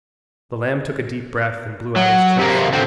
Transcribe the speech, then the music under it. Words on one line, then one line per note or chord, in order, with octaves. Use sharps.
The lamb took a deep breath and blew out his chest.
F#3
C3 A#3
D3 C4